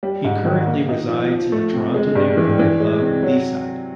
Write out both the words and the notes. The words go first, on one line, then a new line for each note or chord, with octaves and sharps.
He currently resides in the Toronto neighbourhood of Leaside.
G3
G#2
D#3
A#3
D#4
F3
F3
A3
C3
G#3
G2
E3
E3
G#3
C3
F#3